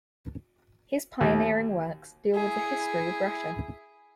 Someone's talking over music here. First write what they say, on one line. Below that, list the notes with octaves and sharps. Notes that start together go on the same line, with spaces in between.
His pioneering works deal with the history of Russia.
D#2
E4 G#4